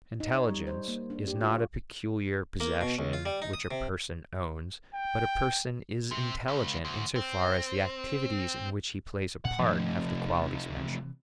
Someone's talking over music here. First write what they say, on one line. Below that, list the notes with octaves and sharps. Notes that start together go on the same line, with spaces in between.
Intelligence is not a peculiar possession which a person owns; but a person is intelligent in so far as the activities in which he plays a part have the qualities mentioned.
D#4
C#5
G3
C5
A#3
D4
G4
F4
C#5
A#3
B2
C#2
F4
G3
D#4
D#6
C3
G5
C3
C#2
D2
C4
A#2 F#5
G#2 D#3 F3 A3 D4
C3
C3 E3